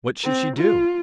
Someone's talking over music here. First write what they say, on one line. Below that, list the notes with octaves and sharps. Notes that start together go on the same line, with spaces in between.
What should she do?
C4
F4